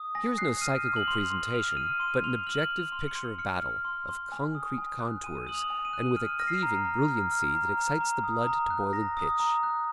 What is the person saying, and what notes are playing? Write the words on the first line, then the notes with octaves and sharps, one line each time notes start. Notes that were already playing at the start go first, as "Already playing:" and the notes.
Here is no psychical presentation, but an objective picture of battle, of concrete contours, and with a cleaving brilliancy that excites the blood to boiling pitch.
Already playing: D#6
G#5 A#6
F#6 C7
F6 D#7
F6
F#7
C6 F7
C6
F6 F7
F6 D#7
C6 D#7
C6 F7
F6 F#7
F6
F7
C6
C#7
C6
F6 C#7
F6
C6
C6
G#5
D#6
G#5
F#6
G#5 D#7
D#6 F#7
F7
G#5
D#7
F#6
F6 D#7
F6 A#6
C7
A#5
A#5
F6
F6
A#5
A#5
A#5
D#6
A#5
F#6
A#5 A#6
D#6
A#5
F#6